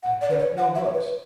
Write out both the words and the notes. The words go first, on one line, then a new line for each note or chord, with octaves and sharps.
I kept no books.
F#5
D5
B4
C#5
F#5
E5
C#5
B4